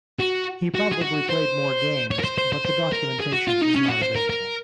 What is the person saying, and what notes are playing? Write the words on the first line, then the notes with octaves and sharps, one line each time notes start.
He probably played more games but the documentation is not available.
F#4
F#4
G#4
F#4
C5
C#5
A#4
C5
C5
C5
C5
A#4
G#4
F#4
F4
D#4
C#4
F#4
C5
A#4
A#4